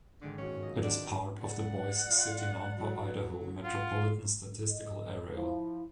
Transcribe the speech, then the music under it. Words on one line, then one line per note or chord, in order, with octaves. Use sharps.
It is part of the Boise City-Nampa, Idaho Metropolitan Statistical Area.
G#1 D3 G#3 D6
D#1 C#4 F#4
A#2 D#5
C4 D4 F#5 B5
G4 A#4
C#2 D5 F#5
F4
F#3
F4 F#5
D#5
F3 E4